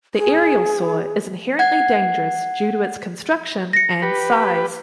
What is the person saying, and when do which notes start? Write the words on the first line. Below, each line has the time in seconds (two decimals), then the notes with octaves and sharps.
The aerial saw is inherently dangerous due to its construction and size.
0.15 G#4
1.59 F#5 G#6
3.73 A#6 C#7
4.02 G4 B4